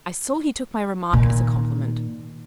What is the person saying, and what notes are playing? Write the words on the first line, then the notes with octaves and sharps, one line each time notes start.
I saw he took my remark as a compliment.
A#2 D#3